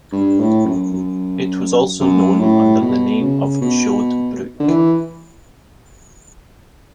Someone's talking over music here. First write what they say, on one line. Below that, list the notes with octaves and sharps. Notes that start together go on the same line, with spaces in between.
It was also known under the name of Chaud brook.
G2
A2
F#2
F#2
F#2
A2
B2
C#3
B2
D3
E3